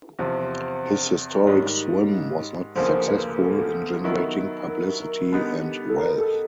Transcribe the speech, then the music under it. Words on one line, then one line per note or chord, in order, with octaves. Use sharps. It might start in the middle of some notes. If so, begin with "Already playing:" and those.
His historic swim was not successful in generating publicity and wealth.
E2 C3 F3 C5
D5
G#2 D#3 G3 C#5
D2 C#3 F3 A#3 C5
B4
A4
D#3 F#3 B3 E4
A#4
A#4
D3 G3 B3 D#4
A4
A#4
A4